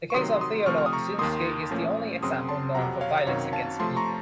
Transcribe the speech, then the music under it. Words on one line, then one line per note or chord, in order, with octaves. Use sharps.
The case of Theodore Kaczynski is the only example known for violence against people.
C#6
C3 D#3 F#3 C6 D#6
C6 D#6
C3 F3 A3 C4 C#6 F6
F6
D#6
A#5 C#6
D#2 D#3 A#3 C6 D#6
A#2 F3 A3 C#4
F#2 C#3 F#3 C4 C6 D#6
A5 C6
F2 C3 F#3 F#5 A#5
C#5 F5
F#2 D#3 F#3 C4 C#5 F5
F5 A5
C3 F3 A3 A5 C6
A#5 C#6